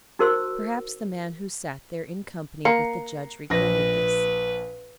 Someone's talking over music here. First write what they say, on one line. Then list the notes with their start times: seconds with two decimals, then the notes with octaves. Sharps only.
Perhaps the man who sat there in company with the judge regretted this.
0.19 D#4 F#4 A#4 C5 C6 E6
2.65 A#3 A#5 C7 C#7
3.50 A#1 B4 A#6